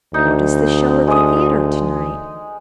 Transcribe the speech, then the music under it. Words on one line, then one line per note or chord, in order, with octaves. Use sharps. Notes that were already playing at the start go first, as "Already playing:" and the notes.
What is the show at the theatre to-night?
D2 D#4
G#3 D#6